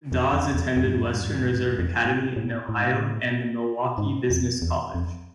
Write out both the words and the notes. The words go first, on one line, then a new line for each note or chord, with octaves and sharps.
Dawes attended Western Reserve Academy in Ohio and The Milwaukee Business College.
F2
F2
E2
F2
G#2
F2
G#2
F2
G#2
F2
G#2
F2
G#2
F2
G#2
F2
G#2
F2
A2
A2
A2
G#2
A2
G#2
F2
E2
F2